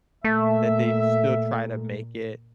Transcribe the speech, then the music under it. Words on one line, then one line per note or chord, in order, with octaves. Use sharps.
that they still try to make it,
A#2 A3 E5